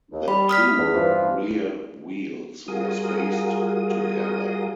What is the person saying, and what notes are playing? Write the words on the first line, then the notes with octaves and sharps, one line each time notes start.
The two rear wheels were spaced together.
D#2
G3 B5
D#6 F6 B6
E2
G2 E3 F3
G3 F4 F#4 G#4 A#4 D#6